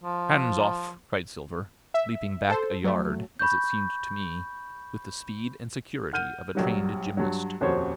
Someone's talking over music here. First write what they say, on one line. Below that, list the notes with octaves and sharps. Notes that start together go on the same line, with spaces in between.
"Hands off!" cried Silver, leaping back a yard, as it seemed to me, with the speed and security of a trained gymnast.
F3
E5
A4 C5
F#3 A3
B5 C#6 G6
F#5 F6 G6 D#7
A#1 F#3 G3
G2 F#3
D#1 F2 C#4 F#4 C5 C#5